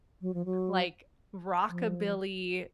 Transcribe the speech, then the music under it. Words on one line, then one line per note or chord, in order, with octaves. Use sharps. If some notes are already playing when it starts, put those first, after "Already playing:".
like, rockabilly
F#3
F3
F#3
F3